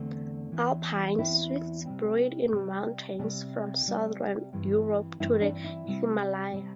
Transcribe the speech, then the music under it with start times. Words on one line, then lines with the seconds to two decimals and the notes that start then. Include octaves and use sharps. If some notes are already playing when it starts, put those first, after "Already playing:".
Alpine swifts breed in mountains from southern Europe to the Himalaya.
Already playing: E2 D3 A3 C4
0.52 E2 E3 C4
1.18 E2 E3 C4 E4
1.85 C3 G3 C4
2.52 C3 G3 C4
3.19 C3 G3 C4 D4
3.86 C3 G3 C4
4.53 G2 E3 C4
5.20 G2 E3 C4 E4
5.41 D4
5.64 E4
5.87 C3 G3 C4
6.53 C3 G3 C4